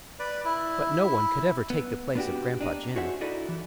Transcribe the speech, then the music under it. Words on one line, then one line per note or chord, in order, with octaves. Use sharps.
But no one could ever take the place of Gran'pa Jim.
B4 D5
E4
B3
B3 D4 F#4 G4
D4 D#4
F#4 G#4 C5 C#5 E5 F#5
D#4 E4 F#4 A4 D5 D#5
E3